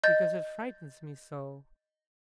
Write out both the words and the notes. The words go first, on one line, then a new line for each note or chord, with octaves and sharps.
'Because it frightens me so!'
D#5 G6 A6